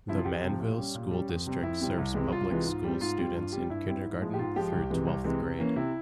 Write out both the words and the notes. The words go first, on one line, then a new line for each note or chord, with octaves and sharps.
The Manville School District serves public school students in kindergarten through twelfth grade.
C3 F3 E4
F4
F2 G4
C3 F3
A#2
G3 C#4
A#2
G3 C#4
F2
C3 G3 C4
F2 E4
C3 G3 C4
C2
C3 E3 G#3
C2 F4
C3 E3 G#3
G#2
G3 C4
G#2 F4
G3 C4
G2
G3 C4
G2 E4
G3 C4
G#2
F3 G#3
G4
G#2 F4
F3 G#3 G4
C2
C3 E3 G#3
C2
C3 E3 G#3
C3
E3 A#3 C#4
C3 E4